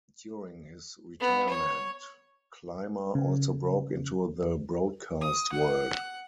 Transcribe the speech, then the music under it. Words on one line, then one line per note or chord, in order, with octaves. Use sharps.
During his retirement Clymer also broke into the broadcast world.
B3
C#5
C#3
D#6
F#5